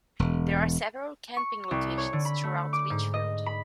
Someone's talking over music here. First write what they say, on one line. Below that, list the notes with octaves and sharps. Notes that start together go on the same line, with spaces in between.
There are several camping locations throughout Litchfield.
E1
C#6
C2
C#5
D3
B5
A3
D6
G#2
D#5
B5